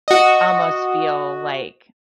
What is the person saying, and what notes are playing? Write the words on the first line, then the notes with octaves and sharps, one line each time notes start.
almost feel, like,
F#4 D#5